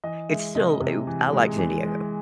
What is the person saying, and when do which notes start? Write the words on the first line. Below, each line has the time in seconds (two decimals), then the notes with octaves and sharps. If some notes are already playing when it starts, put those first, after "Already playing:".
it's still u I like San Diego.
0.04 E3 D#5
0.29 G#3 E5
0.55 C3 D#5
0.81 C3
1.07 E3
1.33 G#3
1.58 E3
1.83 G#3